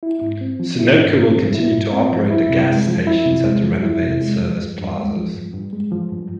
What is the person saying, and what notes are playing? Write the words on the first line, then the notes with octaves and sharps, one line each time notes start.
Sunoco will continue to operate the gas stations at the renovated service plazas.
E4
G#2
C4
F3
E4
G#2
C4
F3
E4
G#2
C4
F3
E4
C3
G#3
F3
E4
C3
G#3
F3
E4
C3
G#3
F3
G2
G2
G#3
F3
G2
G2
G#3
F3
G2